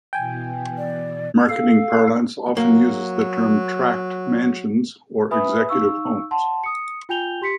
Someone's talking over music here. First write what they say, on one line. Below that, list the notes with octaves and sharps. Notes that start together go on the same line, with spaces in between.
Marketing parlance often uses the term "tract mansions" or executive homes.
B2 E3 G5 G#5
D5
A4 F5
F#3 A#3
B4 E5 G#5 B5 D#6
D#4 F5 C#6 E6
F#5 A5 C6
D#6 C#7
F4 G5 G#5 G6 F7 G7
G4 C6 B6 C#7